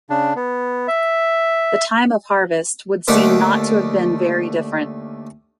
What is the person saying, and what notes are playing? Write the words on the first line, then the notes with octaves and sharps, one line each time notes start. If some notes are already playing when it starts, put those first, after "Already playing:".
The time of harvest would seem not to have been very different.
C#3 D4
B3
E5
D#2 D3 D#3 A3 D4 D6